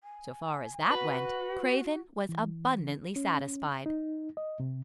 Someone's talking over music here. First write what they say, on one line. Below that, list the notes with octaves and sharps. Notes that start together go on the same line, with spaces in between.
So far as that went, Craven was abundantly satisfied.
G#5
F#4 B4
E3
C#4
D#4
D#5
C3